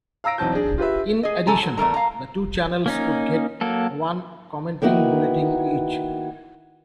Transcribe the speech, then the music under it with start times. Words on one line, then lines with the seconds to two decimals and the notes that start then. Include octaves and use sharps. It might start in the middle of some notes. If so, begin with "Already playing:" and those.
In addition, the two channels would get one "commenting bulletin" each.
0.24 F5 A#5 E6 A#6 D7
0.38 B1 E2 C4 A5 G6
0.53 D4 G#4
0.78 F4 G4 B4 E5
1.23 G#4 D#5
1.47 F#2 A4 G#5 A#5
1.63 F#3
1.78 E2 A3 A#4 A#5
1.94 F5 A#5
2.86 A#3 C#4 D#4
3.61 F#3 A#3 A4
4.82 D#3 A#3 B3 E4 F#4